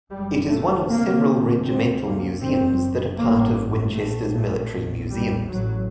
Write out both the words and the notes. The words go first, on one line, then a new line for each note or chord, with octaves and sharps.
It is one of several regimental museums that are part of Winchester's Military Museums.
F#1 F#2 G3
A3
D2 C3 A#3
D2 C3 C4
A#3
F#1 F#2 C4
A1 G2 A#3
A#1 A#2 A3
A3
A#1 A2
G3
A1 A2 F#3